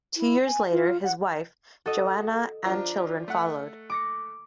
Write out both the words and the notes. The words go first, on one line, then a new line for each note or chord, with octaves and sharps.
Two years later, his wife Johanna and children followed.
E4
G#5
F4
F#5
F#4 A4 D#5
F3 D4 F4 A#5
A3 F#5
D6 A#6 C#7